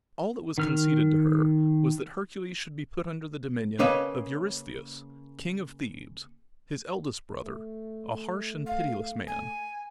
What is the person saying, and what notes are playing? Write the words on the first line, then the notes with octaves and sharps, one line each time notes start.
All that was conceded to her was that Hercules should be put under the dominion of Eurystheus, King of Thebes, his eldest brother, a harsh and pitiless man.
D#3 F6
C#3 A#3 B4 C#5 D#5 A5
A3
F5
G#5